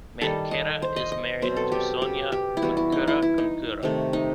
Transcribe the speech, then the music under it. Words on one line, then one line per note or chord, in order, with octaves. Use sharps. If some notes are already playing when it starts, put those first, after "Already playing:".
Mancera is married to Sonia Corcuera Corcuera.
D#3 G3 D#4 A4
D#5
C5
D#5
D#5
B2 F#3 C4 C5
A4
G4
G4
G4
E4
E3 G3 B3 F#4
E4
D#4
E4
E4
D#4
C3 D#3 A3
D#4